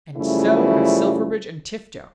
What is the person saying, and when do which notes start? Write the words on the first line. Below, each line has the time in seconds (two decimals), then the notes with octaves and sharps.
And so have Silverbridge and Tifto.
0.17 F#2 C#3 F3 G3 A3 E4